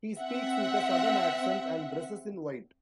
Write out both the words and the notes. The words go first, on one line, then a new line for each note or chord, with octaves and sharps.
He speaks with a Southern accent and dresses in white.
C4 E5 F#5